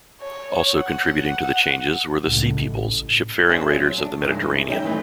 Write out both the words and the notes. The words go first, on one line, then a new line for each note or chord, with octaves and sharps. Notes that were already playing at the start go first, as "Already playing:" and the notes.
Also contributing to the changes were the Sea Peoples, ship-faring raiders of the Mediterranean.
C#5
F#5
C#2 A2
A1
C4 D4 F4 G#4 E5 F#5
F#3
D4
G2 C3 D#3 E3 G#3
G3 C#4 D#4 A4 E5 G5
D#3 E3 F#3 A3 B3 C4